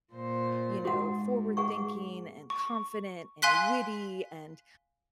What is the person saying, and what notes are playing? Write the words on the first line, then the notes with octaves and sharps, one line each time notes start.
you know, forward-thinking and confident and witty and,
A#2 C5
G#2 F#4 F#5
G#4 F#5 C#6
C#6
F5 G#5 C6 F#6 B6